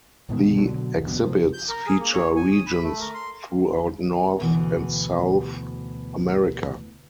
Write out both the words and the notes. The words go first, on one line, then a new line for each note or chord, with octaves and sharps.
The exhibits feature regions throughout North and South America.
C2 G#2 B2 D#3
B2 D3 F#3
F1 D#2
D1 A1 G2 B2
C3 F3
G6
A#4
G#4
A#3
C#5
G#5
D#6
B5
A3
A#4
C6
D2 B2 E3